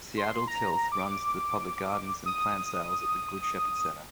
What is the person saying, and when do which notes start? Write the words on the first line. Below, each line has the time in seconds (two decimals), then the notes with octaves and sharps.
Seattle Tilth runs the public gardens and plant sales at the Good Shepherd Center.
0.17 C6
0.47 A#5
0.92 D6
2.26 D#6